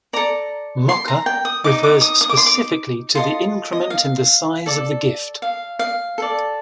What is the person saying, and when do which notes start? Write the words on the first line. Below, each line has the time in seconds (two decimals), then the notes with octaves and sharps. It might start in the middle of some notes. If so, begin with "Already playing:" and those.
Moka refers specifically to the increment in the size of the gift.
0.13 A4 D5 A#5
0.89 C6
1.08 A#5
1.26 G5
1.45 D#6
1.64 D#4 A4 D#5 D6
1.83 D6
2.01 D#6
2.21 D#6
2.29 D6
2.37 C6
2.46 D6
3.15 F4 A4 D#5 C6
3.72 D#5
3.90 F5
4.66 A4 D5
5.42 F5
5.79 F5
6.18 A4 D5